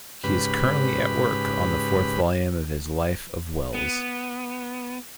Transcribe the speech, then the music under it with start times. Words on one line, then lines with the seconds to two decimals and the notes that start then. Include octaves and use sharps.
He is currently at work on the fourth volume of his life of Welles.
0.24 G#2 C#3 G4 B4 B5
3.74 B3